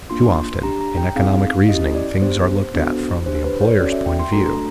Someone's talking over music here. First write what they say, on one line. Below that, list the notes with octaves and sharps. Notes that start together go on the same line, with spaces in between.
Too often, in economic reasoning, things are looked at from the employer's point of view.
A#3 D4 F4 C6
D4 G4 A#5
A#5
G5
C4 D#4 G#4 F5
C#4 E4 G4 D#5
D5
B3 D4 G4 C5
B3 D4 F#4 A4
D4 G4 C5
B4
C#5
C#4 F#4 A4 D5
E5
G5
C6
A3 D4 F#4 A4 A#5
A#5